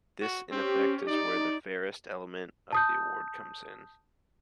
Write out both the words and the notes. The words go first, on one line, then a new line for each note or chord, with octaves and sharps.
This in effect is where the "fairest" element of the award comes in.
F#4
C4 C#4 G4
D#4 D5
A5 D#6 G6